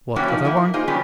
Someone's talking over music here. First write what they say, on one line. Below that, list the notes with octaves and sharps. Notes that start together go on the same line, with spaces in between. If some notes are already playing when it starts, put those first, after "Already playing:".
"What other one?"
C3 G3 A#3 C#4 E4 F#4
F3 D#4
G2 A#3 E4
A#4
A#3 D#4 F4 G#4 C5 D#5
C#3 F#3 G3 B3 C#4 D4